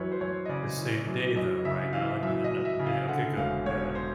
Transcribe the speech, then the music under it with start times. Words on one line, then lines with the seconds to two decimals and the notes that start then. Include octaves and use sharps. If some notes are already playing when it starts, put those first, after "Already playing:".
The same day, though, right, not like with another day. Okay. Good. Good.
Already playing: F#2 E3 B4 C#5
0.12 C5
0.21 F#2 C#5
0.45 D#5
0.49 C#3 D5
0.78 E3
1.07 F#2
1.36 F#2 D#5
1.65 C#3 E5
1.93 E3 F5
2.23 F#2 E5
2.44 D#5
2.51 F#2
2.65 E5
2.79 C#3
2.86 F5
3.08 D3 F#5
3.37 E1 F5
3.66 E1 C#5
3.95 C5